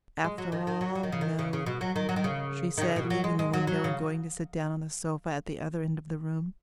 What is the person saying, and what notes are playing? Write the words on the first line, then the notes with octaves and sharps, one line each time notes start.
"After all, no," she said, leaving the window and going to sit down on the sofa at the other end of the room.
G#3
F#3
D#3
D#3
F#3
F#3
D#3
C#3
D#3
C#3
C#3
B2
F#3
D#3
F#3
D#3
C#3
D#3
C#3
B2
F#3
G#3
G#3
F#3
F#3
C#3